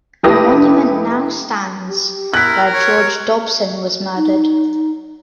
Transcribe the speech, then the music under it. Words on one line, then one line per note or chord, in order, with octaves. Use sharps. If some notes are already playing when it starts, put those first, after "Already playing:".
A monument now stands where George Dobson was murdered.
F1 E4 G4 B4 D#6 A#6
G4
E4 A#4 F#6 B6
C#5
D#4